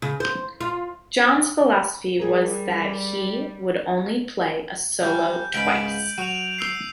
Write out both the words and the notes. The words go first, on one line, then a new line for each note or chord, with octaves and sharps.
John's philosophy was that he would only play a solo twice.
C#3
C5
F4
G3 G#4 A#4
G3 C#4 D4 G6
C#2 G#2 B5 D7 F#7
F#3 F#4 D#7 F7
E6 G6 C7